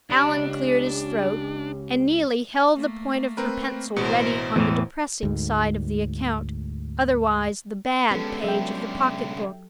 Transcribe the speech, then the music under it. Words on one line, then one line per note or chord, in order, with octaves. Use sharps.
Allan cleared his throat, and Neelie held the point of her pencil ready on the depressing side of the account--otherwise the "Bad" page of the pocket-book.
C#2 D4 G4 B5
A3 A#3
C4 A#4 B4
A1 B2 E4 A#4 C5 C#7
E2 A2 E3
D2 G#2
D3 G#3 B3 C#4 G4 A4
F#3 E5 G5